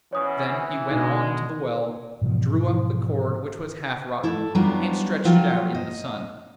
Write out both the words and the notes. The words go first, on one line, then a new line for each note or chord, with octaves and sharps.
Then he went on to the well, drew up the cord, which was half rotten, and stretched it out in the sun.
B2 E3 C#4 C#5 D#6
B2 G#3 D4 D#4
G#2 B2 E3 F3
E4 A4
F#3 G3 B3 D4 D#4 F4
F3 F#3 F4 G4
D#5